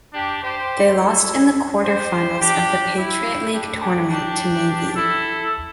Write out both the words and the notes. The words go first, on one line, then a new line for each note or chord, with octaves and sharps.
They lost in the quarterfinals of the Patriot League Tournament to Navy.
D4 G4
G4 C5
E4 A4
G4 C5
D4 G4
E4
D4 G4
D4 G4
D4 G4
E4 A4